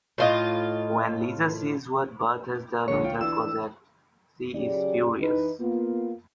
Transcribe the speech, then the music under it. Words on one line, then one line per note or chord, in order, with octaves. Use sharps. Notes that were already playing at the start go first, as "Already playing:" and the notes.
When Lisa sees what Bart has done with her project, she is furious.
A2 F4 D#5
A#1 D3 G#3 C#5
D1 F4 G5
E3 D4 E6
C#3 F#3 G4 G#4 D5
E3 D#4 B4
A#3 B3 F4